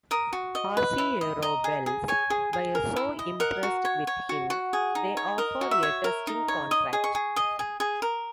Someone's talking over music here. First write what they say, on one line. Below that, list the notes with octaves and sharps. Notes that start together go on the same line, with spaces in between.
Arciero-Wells were so impressed with him, they offered a testing contract.
A#4 D#6
F#4
D#5
B4
E4
D#5
D#5 A#5
G#4
G#4
C#5 G#5
G#4
G#4
A#4
E4
D#5
A#4 F#5
F#4
C#5
C#5
F#4
F#4
G#4
D#4
C#5
A#4 D#5
F#4
E5
C#5
A#4
D#4
C#5
D#5 D#6
G#4
C#6
G#4
D#5 D#6
G#4
G#4
A#4